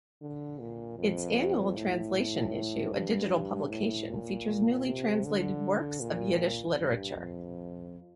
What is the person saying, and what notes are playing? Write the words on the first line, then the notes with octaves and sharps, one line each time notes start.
Its annual translation issue, a digital publication, features newly translated works of Yiddish literature.
D3
A#2
F2
A2
G2
A2
A#2
C3
D3
A#2
G2
F2